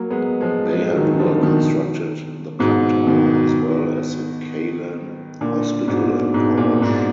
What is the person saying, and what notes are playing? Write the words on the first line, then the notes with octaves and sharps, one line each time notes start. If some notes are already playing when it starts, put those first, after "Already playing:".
Bahadur constructed the clock tower as well as the Kalyan Hospital and College.
Already playing: F#3 A#3
G#3 B3
F3 G#3
F3 G#3
D#3 F#3
D3 F3
B2 D#3
G#2 B2
B2 D#3
A#2 D3
G#2 B2
G#2 B2
A#2
G#2 B2